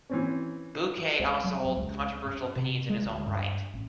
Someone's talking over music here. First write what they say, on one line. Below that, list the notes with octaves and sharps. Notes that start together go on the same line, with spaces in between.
Bukay also holds controversial opinions in his own right.
E3 C4 C#4
C#2
F#3
F2
C#2
F#2
C3
G#3
D2
G2
A1